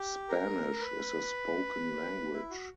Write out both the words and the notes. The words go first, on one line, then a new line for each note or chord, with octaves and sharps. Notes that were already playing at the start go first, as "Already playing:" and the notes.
Spanish is a spoken language.
Already playing: G4
A#4
B4
E4
F#4